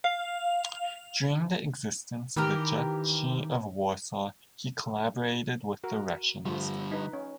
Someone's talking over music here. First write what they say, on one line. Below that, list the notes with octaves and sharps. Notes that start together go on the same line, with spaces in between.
During the existence of the Duchy of Warsaw he collaborated with the Russians.
F5
D#3 E3 G4 A#4
F#4 A#4
D3 F3 G3 A3
D#4 B4
C#4